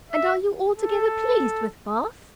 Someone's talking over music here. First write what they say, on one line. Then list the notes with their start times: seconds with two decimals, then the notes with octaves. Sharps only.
"And are you altogether pleased with Bath?"
0.12 E5
0.77 A4